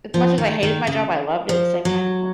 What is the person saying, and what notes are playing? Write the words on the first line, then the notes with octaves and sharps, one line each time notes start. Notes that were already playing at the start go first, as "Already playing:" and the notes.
as much as I hated my job, I loved it same time, now.
F3
D#3
D#3
C#3
F3
F#3